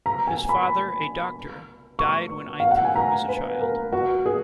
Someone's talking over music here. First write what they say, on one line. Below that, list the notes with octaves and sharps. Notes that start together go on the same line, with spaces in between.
His father, a doctor, died when Einthoven was a child.
A#5
G#5
B5
C#6
F5
F#5
G#5
A#5
B4
A#4
F#4
G#4